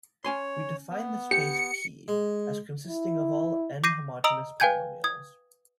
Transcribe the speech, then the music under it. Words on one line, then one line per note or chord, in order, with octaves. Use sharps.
We define the space "P" as consisting of all "n"-homogeneous polynomials.
C#4 C#5 G#5 C6
B3
G4 C#7
G#3
E4
D6 G6 A#6 C7 D#7
D#5 A#5 D#6 E6 D7 F#7
B4 F5 G5 G#5 G6 G#6
D#6 G#6